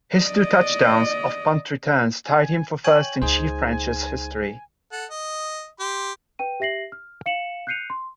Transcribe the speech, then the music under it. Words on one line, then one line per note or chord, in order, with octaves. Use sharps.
His two touchdowns off punt returns tied him for first in Chief franchise history.
D5 D#5
G#5
C#5 G5 G#5 F#7
C#2 D#4 G#4 C5 G#5
A4 F#5
D#5
G4 C6
B4 G5 D#7
G4 E5 A#6 C7 F#7
F6
F5 C#7 E7 F#7
F#6 G6 C7 C#7 D#7 F7
C6